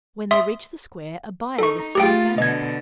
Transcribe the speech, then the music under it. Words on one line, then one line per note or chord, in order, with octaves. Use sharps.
When they reached the square, a buyer was soon found.
E5 C6 D#6
D#4 A4 C#6
A3 F4 G4 G#4 G5
B2 D3 D#5 G#6